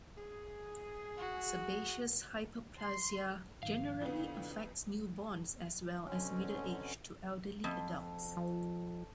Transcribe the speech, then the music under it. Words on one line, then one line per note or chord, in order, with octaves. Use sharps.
Sebaceous hyperplasia generally affects newborns as well as middle-aged to elderly adults.
G#4
F#4
C6
G#2 D#3 F3 F5
F2 D3 B3 E4
B2 D3 F#3 C4 C#4
F2
F3